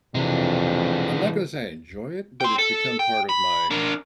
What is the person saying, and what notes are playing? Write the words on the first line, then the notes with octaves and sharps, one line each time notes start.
I'm not gonna say I enjoy it, but it's become part of my,
F2 C3 E3 G#3 D4
G5 C6
A4
G5
B5
D4 A#4